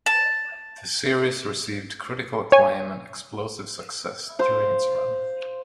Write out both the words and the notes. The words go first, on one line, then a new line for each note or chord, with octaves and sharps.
The series received critical acclaim and explosive success during its run.
A5
C#5 G#5
C5 F5